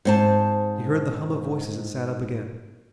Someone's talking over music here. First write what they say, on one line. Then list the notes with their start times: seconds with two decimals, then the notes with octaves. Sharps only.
He heard the hum of voices and sat up again.
0.05 G#2 C4 A5